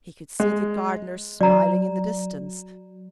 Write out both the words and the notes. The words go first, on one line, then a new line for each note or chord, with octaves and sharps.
He could see the gardener smiling in the distance.
G#3
F#3 D5 A#5